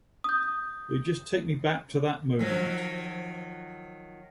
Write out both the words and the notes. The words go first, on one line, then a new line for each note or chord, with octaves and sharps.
They just take me back to that moment.
D#6 G6
D#3 F3 F#3